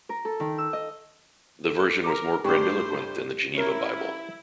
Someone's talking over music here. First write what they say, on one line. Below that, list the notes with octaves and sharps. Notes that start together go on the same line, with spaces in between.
The version was more grandiloquent than the Geneva Bible.
A#4
A4
D#3
E6
D#5
A4 E7
A#4 A#5 D6
G2 A3 G4 C5 C#6 D6
C#4 E4 A#4